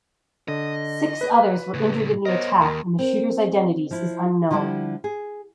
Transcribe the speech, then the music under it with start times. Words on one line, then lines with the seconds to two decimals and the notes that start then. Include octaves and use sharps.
Six others were injured in the attack and the shooters identities is unknown.
0.48 D3 D#5
1.21 B4
1.74 A2 C#3
2.26 B3 A#4 C5 C#5 D#5
2.62 D#2 A#4
2.99 C4 A#4
3.91 F3 E4
4.51 D3 F3 G3 E4 G4
5.04 G#4